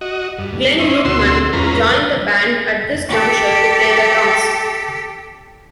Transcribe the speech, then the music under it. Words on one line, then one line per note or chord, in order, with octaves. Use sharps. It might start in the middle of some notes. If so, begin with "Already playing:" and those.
Glen Luttman joined the band at this juncture to play the drums.
F#4 D#5
G2
C#4 E4 C5 D#5
D2 B2 C4 F#4 C6 E6
E2 G#2 C#4 F4 B4 A#5
G4 A4